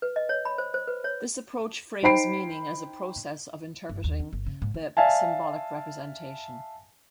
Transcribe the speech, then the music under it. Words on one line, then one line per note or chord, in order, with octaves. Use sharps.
This approach frames 'meaning' as a process of interpreting the symbolic representation.
B4
D#5
C#5
B5
C5
C5
B4
C#5
D#4 C5 G5 B5 C7 D7
G1
D#2
C#4
G1
C#3
G#2
A#3
D5 E5 F5 G#5 A5